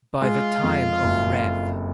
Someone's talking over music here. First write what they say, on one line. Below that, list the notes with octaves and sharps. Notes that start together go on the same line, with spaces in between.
By the time of Rev.
G#3 F4
F2
F#1